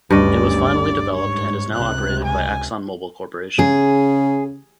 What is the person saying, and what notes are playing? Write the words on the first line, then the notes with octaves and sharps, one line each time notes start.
It was finally developed and is now operated by Exxon Mobil Corporation.
F#1 D2 G2 C#4 D5 D#5
G#2 C#5
C#2 C3 F#6
G#5
C#3 G#4